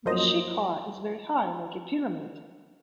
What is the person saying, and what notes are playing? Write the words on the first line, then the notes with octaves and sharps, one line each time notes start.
The shikhar is very high, like a pyramid.
F#2 F3 F#3 A#3 C5 D#5